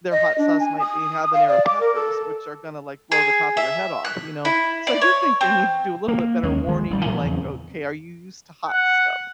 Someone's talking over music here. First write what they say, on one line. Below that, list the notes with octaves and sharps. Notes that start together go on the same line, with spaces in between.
their hot sauce might be habanero peppers, which are gonna, like, blow the top of your head off, you know. So, I do think they need to do a little bit better warning you, like, "Okay, are you used to hot stuff?"
D#5
D4
G#5
D#6
F5
D5
D6
A#4
A4
G#4
E5
F#6
E4
D5
C#5
C4
A#3
D#2 G#3 C#4
D#3 G#3
A1 G3
A#2 E3 F#3
E2 C#3 C4
F#5